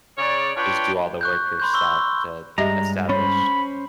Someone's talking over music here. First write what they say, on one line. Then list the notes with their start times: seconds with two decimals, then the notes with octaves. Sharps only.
just do all the work yourself to establish
0.18 C#3 C#5 D5
0.57 D4 F4 B4 C#5 G5
1.21 C#6 F#6 G6
1.60 B5 C6 G6
1.73 C#6 E6 G7
2.58 G2 G3 G#3 G4 D#5 E5 A#5
3.09 C#4 C5 C#5 B5